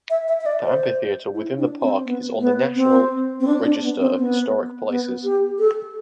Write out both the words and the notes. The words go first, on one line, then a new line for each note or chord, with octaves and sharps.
The amphitheater within the park is on the National Register of Historic Places.
E5
E5
E5
D5
C5
E4
D4
C4
B3
B3
C4
C4
D4
D4
B3
C4
B3
B3
G4
A4